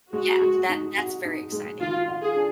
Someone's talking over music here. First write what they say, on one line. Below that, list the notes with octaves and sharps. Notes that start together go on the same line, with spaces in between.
Yeah, that that's very exciting.
G#3 F#4
G#3
D#4
F#4
D#4
G#3
D#3 F4
F4
G#4
D4